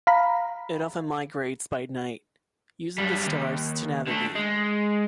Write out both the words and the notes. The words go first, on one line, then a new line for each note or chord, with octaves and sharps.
It often migrates by night, using the stars to navigate.
F5 A#5 B5
F#2 G3
D#2
D3 A3
G#3